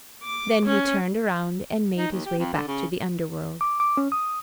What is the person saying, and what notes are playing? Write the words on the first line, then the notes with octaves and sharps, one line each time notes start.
Then he turned around and made his way back to the Underworld.
D6
C#4
D#4
D#2
G4
F2
D3
C#3
D6
D6
C#4
D#6